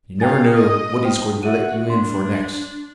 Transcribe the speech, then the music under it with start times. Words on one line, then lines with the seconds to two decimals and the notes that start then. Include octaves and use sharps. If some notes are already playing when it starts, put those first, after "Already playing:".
You never know what he's going to let you in for next.
0.20 D#4 F5 G5 G#5 A6
0.54 D#5 D#6
1.04 C5 G5
1.43 F#4 E5 D#7
1.90 D4 C6